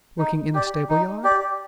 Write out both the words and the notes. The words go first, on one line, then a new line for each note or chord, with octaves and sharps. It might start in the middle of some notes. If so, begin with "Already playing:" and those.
"Working in a stable-yard?"
D#4
G4 D5
D#4
G4 D5